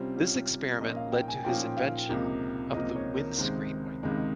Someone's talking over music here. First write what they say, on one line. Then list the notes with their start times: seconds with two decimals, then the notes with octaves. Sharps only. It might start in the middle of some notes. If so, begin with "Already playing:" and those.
This experience led to his invention of the windscreen wiper.
Already playing: C3 G3 C#4 F4 C5
0.16 C3 G3 C#4 F4
0.80 A#2 F3 A#3 C#4 F4 D#5
0.96 F5
1.12 G5
1.28 G#5
1.45 A#2 F3 A#3 C#4 F4 G5
1.77 F5
2.09 C#2 C3 F3 A#3
2.74 C#2 C3 F3 A#3 D#5
2.96 C#5
3.16 A#4
3.38 C#2 C3 D#3 G#3 C5
4.03 C#2 C3 D#3 G#3